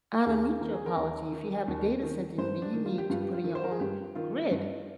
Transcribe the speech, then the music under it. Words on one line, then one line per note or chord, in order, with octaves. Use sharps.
I don't need your apology. If you have a data center, then you need to put in your own grid,
D#2 G#4
D#3 A#4
G#4
A#4
D#2
D#3
D#2
D#3
G2 C5
D4
D#3
F4
G4
G2 F4
G4
F4
D#3
C5
A#4
G#4
G2 G4
D#3 F4
G2